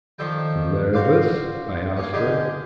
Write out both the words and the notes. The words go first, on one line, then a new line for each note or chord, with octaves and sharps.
"Nervous?" I asked her.
D#3 F3 D4 A4 G5
F#4 C5 D5 F5
A#3 C#4
D3 D#4 G4 G#4 D5